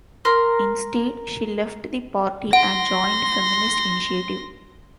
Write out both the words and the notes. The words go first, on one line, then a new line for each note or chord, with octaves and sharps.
Instead, she left the party and joined Feminist Initiative.
A#4 C6
F#5 C6 A#6